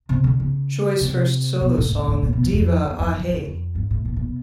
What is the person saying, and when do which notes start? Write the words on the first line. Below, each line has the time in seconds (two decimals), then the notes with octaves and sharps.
Choi's first solo song, Diva, Ah Hey!
0.09 C3
0.24 D3
0.40 C#3
1.01 C3
1.61 B2
1.78 A2
1.92 A2
2.08 A2
2.22 A#2
2.33 B2
2.43 F2
2.53 F2
2.84 E2
2.99 F2
3.14 F#2
3.29 F2
3.45 F2
3.75 G2
3.90 A2
4.05 A#2
4.16 A#2
4.26 B2